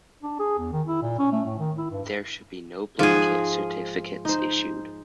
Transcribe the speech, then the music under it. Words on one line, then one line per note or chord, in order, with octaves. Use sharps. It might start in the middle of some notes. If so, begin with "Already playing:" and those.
There should be no blanket certificates issued.
D4
G#4
E2
D#3
E4
A#2
C#4
A3
A2
D#3
E4
G2
G#2 F3 F4 G#4 F#5
D#4 C5